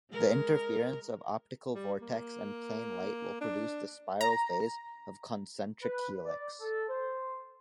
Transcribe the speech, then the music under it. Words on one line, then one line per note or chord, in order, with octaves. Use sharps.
The interference of optical vortex and plane light will produce the spiral phase of concentric helix.
G#3 A#4
G3
A#3
D4
A#5
B4
D5
A4
C5